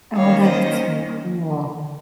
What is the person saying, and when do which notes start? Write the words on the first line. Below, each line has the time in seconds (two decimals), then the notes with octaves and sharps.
Oh, that's so cool.
0.15 D#3 A#3 C#4 C#5 F5
0.44 C5 D#5